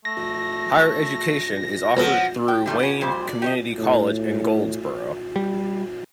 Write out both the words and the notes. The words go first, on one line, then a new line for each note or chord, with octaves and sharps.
Higher education is offered through Wayne Community College in Goldsboro.
A3 A#6
C#2 B2 F3 F#3 A4
G5
C3 D#3 G3 A3 D4 A4
B3 C#4
F2 A#2 G3 C5
D5
G4 C#5 D#5
A2
G3